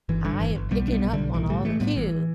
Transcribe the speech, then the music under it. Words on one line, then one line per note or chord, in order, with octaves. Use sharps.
I am picking up on all the cue.
G1 E3
G2 D3
G1 E3
G1
B1 G3 B3
B1 D4
G3 B3
B1
B1 D3 G3
A1 E3
A2 D3 G3
A1 E3 A3
A2 G3 B3
A1 E3